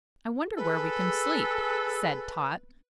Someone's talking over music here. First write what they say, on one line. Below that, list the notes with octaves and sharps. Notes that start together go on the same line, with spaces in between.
"I wonder where we can sleep," said Tot.
G#4 A4 B4